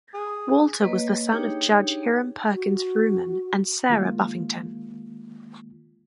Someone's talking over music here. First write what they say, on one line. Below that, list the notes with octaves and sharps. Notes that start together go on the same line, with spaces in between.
Walter was the son of Judge Hiram Perkins Vrooman and Sarah Buffington.
G#4
A#3 B4 C#5 D#5
D4 D#4 G4 G#4 C#5 G5
F#4
D#3 G#3 A#3 F4